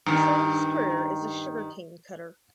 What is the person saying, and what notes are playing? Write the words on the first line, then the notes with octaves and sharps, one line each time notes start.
He started his career as a sugar cane cutter.
G2 D#3